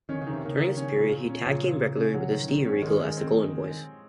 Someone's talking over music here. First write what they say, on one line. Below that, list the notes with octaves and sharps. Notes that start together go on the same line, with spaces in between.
During this period, he tag teamed regularly with Steve Regal as The Golden Boys.
D#3 C#4
C#3
D#3
C3
C#3 A#3
D#3
C#4
A#2
A#2
C#4
A#2 C#3
A#2
A#2
C#4
F#3
D#3
D#3
C#4
D#3 G#3
G#3
C4